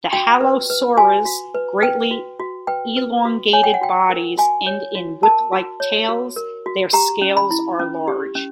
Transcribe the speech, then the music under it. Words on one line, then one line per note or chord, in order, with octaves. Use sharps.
The halosaurs' greatly elongated bodies end in whip-like tails; their scales are large.
F#4 G5
B4
B4
F#4 G#5
F#4
B4
B4 G5
F#4
F#4
B4 G5
B4
F#4
C#5 G#5
G5
F#5
F#4 G5
A#4
F#4 G#5
C#5
F#4
A#4 A5
F#4
C#5
F#4
A#4
F#4
G4 A#5
C#4
B5
E4
C#4
G4
C#4